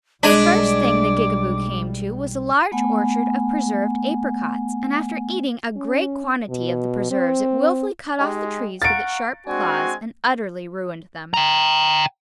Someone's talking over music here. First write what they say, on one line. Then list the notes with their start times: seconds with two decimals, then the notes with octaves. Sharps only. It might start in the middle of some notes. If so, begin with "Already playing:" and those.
The first thing the Gigaboo came to was a large orchard of preserved apricots, and after eating a great quantity of the preserves it wilfully cut off the trees with its sharp claws and utterly ruined them.
0.23 B1 G3 G#3 D4 G#5 B5 D6
2.72 A3 B3 F#5 G#5
5.76 C#4
6.49 B2
7.11 C4
8.19 G#3 D#4 G4
8.82 F5 F#5 A#5 C#6 A6 D7
9.47 G#3 C4 D4 F#4 G#5
11.34 G5 A#5